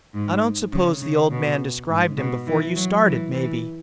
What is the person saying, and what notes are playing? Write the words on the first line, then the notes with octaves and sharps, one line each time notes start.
"I don't suppose the old man described him before you started, maybe?"
G#2
C#3
C#3
B2
G#2
B2
E3
F#3
E3
E3